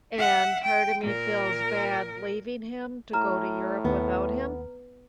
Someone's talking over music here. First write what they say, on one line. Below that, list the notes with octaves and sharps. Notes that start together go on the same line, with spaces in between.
And part of me feels bad leaving him to go to Europe without him
E5 F#5
G5
A#2 A#4
A2 A#5 F6
D#2 B3